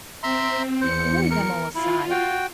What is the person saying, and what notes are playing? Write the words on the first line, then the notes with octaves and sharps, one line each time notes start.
Lay them all aside.
C4 E5 A#5 C6
E2 C5 C#7
A#4
E4 F4
F#4 G5